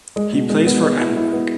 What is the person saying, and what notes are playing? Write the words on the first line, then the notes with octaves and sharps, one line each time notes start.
He plays for Emelec.
G#3
B2
G#3
B3
G#3
E4
E4
B3